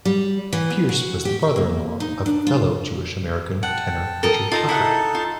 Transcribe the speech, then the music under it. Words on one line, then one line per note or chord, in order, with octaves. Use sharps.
Peerce was the brother-in-law of fellow Jewish-American tenor Richard Tucker.
G3
E3
B3
F#4
G4
G5
A#3
D#4
D4
F4
F#5 G5 A5
A4 A#4 D#6
D#4 F4 A4 A5 A#5
E4 D#5 F#5
F4